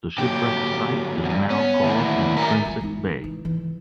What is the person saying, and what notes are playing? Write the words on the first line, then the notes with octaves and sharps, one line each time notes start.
The shipwreck site is now called 'Intrinsic Bay'.
D3 F#3 A#3 G4
E2 G2
B3 C#4
D2 D#3 E3 A#3 E4
A#4 E5 G#5 A#5
G3 F4
G#3 D#4
E3
E3